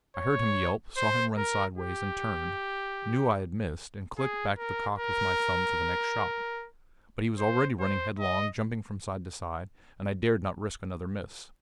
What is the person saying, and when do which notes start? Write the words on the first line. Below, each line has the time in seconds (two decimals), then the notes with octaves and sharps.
I heard him yelp, saw him run sideways and turn, knew I had missed, and clicked back the cock with my thumb for the next shot. But he was already running headlong, jumping from side to side, and I dared not risk another miss.
0.16 C#5
0.97 C5
1.37 A#4
1.78 G4
4.18 G#4
4.58 A#4
4.99 A#4
7.39 C5
7.80 C5
8.19 D#5